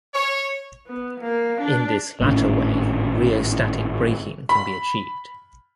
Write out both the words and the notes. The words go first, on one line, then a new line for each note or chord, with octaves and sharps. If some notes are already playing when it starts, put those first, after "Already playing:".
In this latter way "rheostatic" braking can be achieved.
C#5
B3
A#3
D4
G#1 A2 C#4 D4
B5